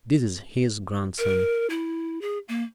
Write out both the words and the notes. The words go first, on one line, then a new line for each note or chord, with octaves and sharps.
This is his grandson.
A#4
E4
G#4
A#3